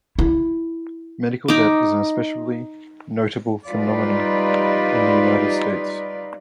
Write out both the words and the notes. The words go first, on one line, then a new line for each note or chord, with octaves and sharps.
Medical debt is an especially notable phenomenon in the United States.
E4
D#4 D6
G3 D#4 F4 B4 D5